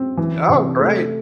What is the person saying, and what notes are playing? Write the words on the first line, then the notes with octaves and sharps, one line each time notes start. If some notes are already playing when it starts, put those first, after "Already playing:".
Oh, great.
Already playing: C4
E3
C3
A3